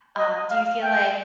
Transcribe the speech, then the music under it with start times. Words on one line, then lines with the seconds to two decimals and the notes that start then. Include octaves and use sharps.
um Do you feel like
0.17 D#5
0.50 F5
0.83 G5